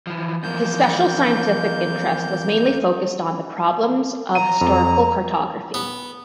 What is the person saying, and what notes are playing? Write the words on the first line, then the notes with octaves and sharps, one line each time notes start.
His special scientific interest was mainly focused on the problems of historical cartography.
E3 F3
E2 F3 A#3 G6
A#5 D#7
F2
B3